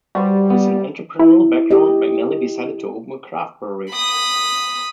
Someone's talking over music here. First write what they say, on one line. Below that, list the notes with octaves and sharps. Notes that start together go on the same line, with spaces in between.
With an entrepreneurial background, McNally decided to open a craft brewery.
G3 F#4 B4 C5
B3
E4
G4 D#5
B5 D#6